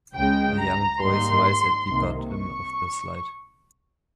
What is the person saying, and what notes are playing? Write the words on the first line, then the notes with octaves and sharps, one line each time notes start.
A young boy smiles at the bottom of the slide.
C#2 C#3 G#3 G5
A#5
G#2 D#3 G3 A#3 D#4 C6
C2 C3 D#3 A#3
C#6